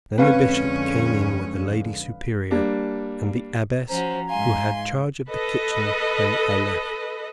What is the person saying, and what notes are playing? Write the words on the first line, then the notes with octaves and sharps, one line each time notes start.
Then the Bishop came in with the Lady Superior, and the Abbess who had charge of the kitchen when I left.
F2 D3 G#3 C4 C#4 B4 F5
G3 A#3 D4
F3 C#4 F#4 C5 A#5
G#2 F5 G#5 C6 G#6
A4 B4 D#5